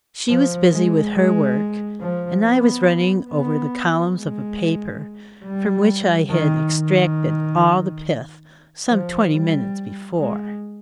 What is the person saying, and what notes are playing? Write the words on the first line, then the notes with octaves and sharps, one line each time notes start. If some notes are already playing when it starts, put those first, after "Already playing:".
She was busy with her work, and I was running over the columns of a paper from which I had extracted all the pith some twenty minutes before.
F3
G#3
G#3
F3
B3
B3
G#3
G3
D#3
D#3
F3
G3
G#3